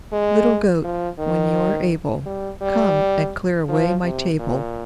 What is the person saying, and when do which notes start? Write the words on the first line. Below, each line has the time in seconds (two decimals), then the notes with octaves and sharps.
"Little goat, when you are able, Come and clear away my table."
0.12 G#3
0.84 F3
1.19 D#3
2.26 G3
2.62 G3
3.68 F3
4.03 C3
4.39 A#2